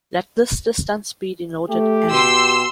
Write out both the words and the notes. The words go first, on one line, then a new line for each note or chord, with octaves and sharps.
Let this distance be denoted "n".
A3 G4
B2 C6 E6